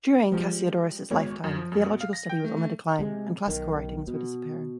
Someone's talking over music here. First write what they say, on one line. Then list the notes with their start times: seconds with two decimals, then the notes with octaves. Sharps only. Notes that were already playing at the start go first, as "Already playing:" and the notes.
During Cassiodorus's lifetime, theological study was on the decline and classical writings were disappearing.
0.32 F3 G3 G#3
1.10 G#1 B3 C#5
1.44 F#2
1.57 F3
1.72 F#2
1.84 B2
2.01 F5
2.13 A#6
2.29 G5
2.45 A3
2.57 A3
2.99 C3 G#3
3.48 B1 D#3
4.07 B2